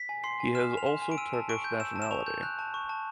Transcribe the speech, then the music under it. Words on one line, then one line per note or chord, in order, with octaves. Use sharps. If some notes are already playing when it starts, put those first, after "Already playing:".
He has also Turkish nationality.
Already playing: B6
G#5
C6 C7
G#5
F6 E7
G#5
F7
C6 E7
G#5
D7
E6 D#7
A5
C#6 D7
G6
E6 E7
A5
E7
C#6 F7
G6
F#6
A5
C#6
A5